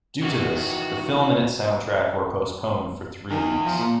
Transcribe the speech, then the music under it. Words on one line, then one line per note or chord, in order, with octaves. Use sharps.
Due to this, the film and its soundtrack were postponed for three weeks.
D#3 E3 F#4
E2 D#3 E3
F3
A#2